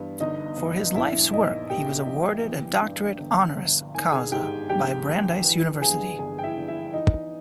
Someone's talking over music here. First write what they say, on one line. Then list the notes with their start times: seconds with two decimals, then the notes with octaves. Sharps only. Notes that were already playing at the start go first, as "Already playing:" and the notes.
For his life's work he was awarded a Doctorate Honoris Causa by Brandeis University.
Already playing: G2 E3 B3
0.20 G1 D#4 D#5
0.58 G1
0.95 A#1 E4 E5
1.32 A#2 D#4 D#5
1.70 A#2 G4 G5
2.07 A#1
2.45 E3
2.82 G2
3.19 G1
3.57 G1
3.94 D#3 G#5
4.12 G#4 G#5
4.32 G#2 G4 G5
4.69 A#1 G4 G5
5.06 A#1
5.44 E3
5.81 G2 G#4 G#5
6.19 G1 G#4 G#5
6.39 G5
6.43 E4 E5
6.57 G1
6.68 E4 E5
6.93 E3 D#4 D#5